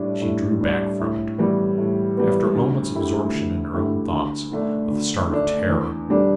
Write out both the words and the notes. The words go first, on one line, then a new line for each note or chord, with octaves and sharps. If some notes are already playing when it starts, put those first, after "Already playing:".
She drew back from it, after a moment's absorption in her own thoughts, with a start of terror.
Already playing: A2 G3 D4
A2
G3 D4
A2
E3 G3 B3
A2
E3 G3 B3
D2
D3 A3 E4 G4
D2
D3 A3 E4 G4
D2
D3 A3 D4
D2
D3 A3 D4
E2
D3 G3 D4 A4